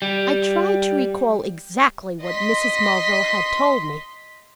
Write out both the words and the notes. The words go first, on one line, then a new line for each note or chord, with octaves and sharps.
I tried to recall exactly what Mrs. Mulville had told me.
G3
D#5 C6 B6